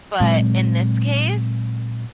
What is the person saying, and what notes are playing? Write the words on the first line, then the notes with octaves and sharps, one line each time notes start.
But in this case,
A#2 F#3 G#3 C4